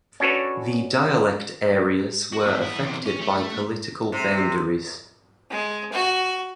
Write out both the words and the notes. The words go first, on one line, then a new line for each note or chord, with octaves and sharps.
The dialect areas were affected by political boundaries.
C#4 D4 F#4 A4 B4 C#5
F#4
B2 E5
B3 E4
E2 C3
C#4
A3
C3
G#3
F#4